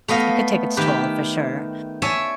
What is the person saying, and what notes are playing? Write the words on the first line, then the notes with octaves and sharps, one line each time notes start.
it could take its toll for sure.
A3 B3 D#5 F5
D#3 G4 B4
C#5 D5 E5 G#5 A5